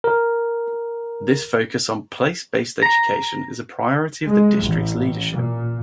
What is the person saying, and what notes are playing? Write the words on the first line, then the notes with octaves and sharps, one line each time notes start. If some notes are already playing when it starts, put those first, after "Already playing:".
This focus on Place-Based Education is a priority of the district's leadership.
A#4
A#5
G#3
A1
A#2